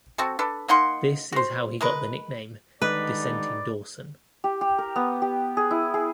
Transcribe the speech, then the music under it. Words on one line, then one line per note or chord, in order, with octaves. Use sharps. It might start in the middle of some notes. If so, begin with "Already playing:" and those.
This is how he got the nickname "Dissenting Dawson".
C4 F#4 A4
D4 A4 B4
A#3 D#4 F#5 C6
F#4 C5
G#3 A#4 B4
D3 D#3 G3 G#3 D#4 B4 D5
G4
G4
A#4
B3
G4
G#4
E4
G#4